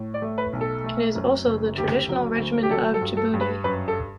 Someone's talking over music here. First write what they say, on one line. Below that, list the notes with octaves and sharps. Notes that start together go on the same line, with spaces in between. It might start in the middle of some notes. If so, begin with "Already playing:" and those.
It is also the traditional regiment of Djibouti.
Already playing: A2
D5
A3
B4
B1
A4
A3
F#2
F#1
D2 G4
F#3
D2
G4
F#3 A4
A4
G2
A4
G2
B4
F#2 B4
A4